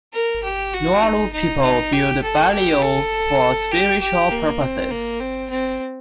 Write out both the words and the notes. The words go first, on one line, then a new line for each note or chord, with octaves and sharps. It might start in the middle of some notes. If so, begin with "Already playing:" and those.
Nualu people build Baileo for spiritual purposes.
A#4
G4
F#4
D#4
D#4
D#4
G4
A4
G4
A4
G4
G4
A#3
C4
A#3
C4
C4